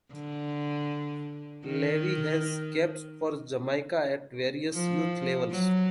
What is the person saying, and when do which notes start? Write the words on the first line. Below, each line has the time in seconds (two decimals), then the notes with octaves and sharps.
Levee has caps for Jamaica at various youth levels.
0.12 D3
1.66 D#3
4.74 F3
5.51 F#3